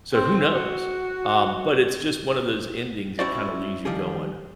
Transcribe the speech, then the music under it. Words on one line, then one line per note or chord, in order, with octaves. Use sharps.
So, who knows? Um, but it's just one of those endings that kinda leaves you going,
C4
F#4
C#4 E4 F#4 C5 D5
D#3 F3 G3 G#4